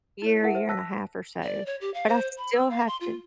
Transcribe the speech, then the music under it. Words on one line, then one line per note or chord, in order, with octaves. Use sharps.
year, year and a half or so, but I still have to
E4 C#5
E4 A4 A#4 E5 F#5
C5 E5
A5 E6 F#6 A#6 B6
D5
C#5
G4
F5
C5
B5
E6
F5
C6
F4